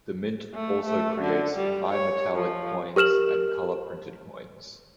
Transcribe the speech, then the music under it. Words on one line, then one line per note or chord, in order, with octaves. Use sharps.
The mint also creates bi-metallic coins, and colour printed coins.
A3
A3
D3
G3
C#5
F3
G4 A#4 F6 E7 F#7